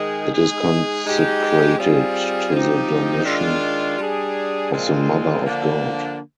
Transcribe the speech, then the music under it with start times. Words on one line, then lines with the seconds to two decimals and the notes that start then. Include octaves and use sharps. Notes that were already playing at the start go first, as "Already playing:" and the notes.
It is consecrated to the Dormition of the Mother of God.
Already playing: D#3 G#3 D#4 G#4
0.32 G#3 D#4 G#4
1.05 G#3 D#4 G4
1.78 G3 C4 F4 G#4
2.52 F3 C4 D#4 G4
3.25 D#3 G#3 D4 F4
3.98 G3 D4 G#4
4.71 A#2 F3 G#3 C4 F4
5.45 D3 F3 A#3 D4